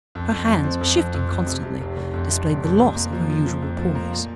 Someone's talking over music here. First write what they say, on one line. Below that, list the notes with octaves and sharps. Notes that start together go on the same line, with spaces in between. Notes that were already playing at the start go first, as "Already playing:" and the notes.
Her hands, shifting constantly, displayed the loss of her usual poise.
F2
F2
F3
C4
F2
F2
F2
F2
C3
C3
F1
F1
F2
C3
F1
F2
F2
A#3
F3
F3
F3
F2
F3
A#3
A#2